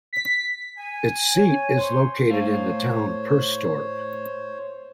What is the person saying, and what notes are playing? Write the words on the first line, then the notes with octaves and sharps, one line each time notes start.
Its seat is located in the town Perstorp.
B6
G#5
C#5
C5 C#5 C6
A2 A3 C5 C#5 F5